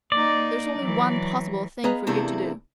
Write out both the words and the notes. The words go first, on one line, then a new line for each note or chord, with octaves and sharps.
There's only one possible thing for you to do.
A#3 D#4 D5
E3 F#3
B3 G#4 B4 D#5 F5 A#5
E2 C3 A3 A#3 D4 E4